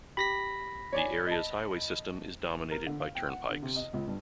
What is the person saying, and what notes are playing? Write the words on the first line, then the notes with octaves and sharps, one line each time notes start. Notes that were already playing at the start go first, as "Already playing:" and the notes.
The area's highway system is dominated by turnpikes.
G4 B5 A#6 B6
C#5 D5 G#5
D#5 A5
A#4
D3
F5
G5
F#5
D3
C3
D#5
C#2
G2